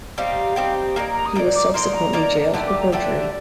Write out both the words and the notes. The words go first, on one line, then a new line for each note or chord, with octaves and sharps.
He was subsequently jailed for perjury.
G3 C4 D#4 G4 F5
G3 C4 D#4 G4
A#3 D#4 A#4 D5 G5
A#5
D#6
A#3 D#4 A#4 D5
D6
A#3 D#4 A#4 D5 C6
A#5
A#3 D#4 A#4 D5
D3 A3 D4 G4 A5
D6
A#5
D3 A3 D4 G4 D5